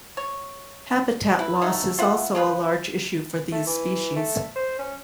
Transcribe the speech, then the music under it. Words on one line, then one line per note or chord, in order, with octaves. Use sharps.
Habitat loss is also a large issue for these species.
C#5
E4 B4
F#3 A3 D#4
E3 F4 E5 F#5
C#3 F3 F4 B4
A3
E3
A3
C5
C#4